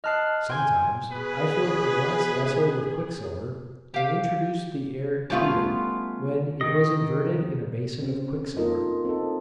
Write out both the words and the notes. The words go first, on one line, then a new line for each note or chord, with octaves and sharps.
Sometimes, I filled a glass vessel with quicksilver, and introduced the air to it, when it was inverted in a bason of quicksilver.
D#5 A5 F6 F#6 C7
G5 G#5 C6
B2 G#4 B4
G4 F5
G3 A3 B3 C#4 F4
D#3 D#5
C4 C#4
A#3 D#4 F4 A4 A#4 D#5
C4 D#4 A4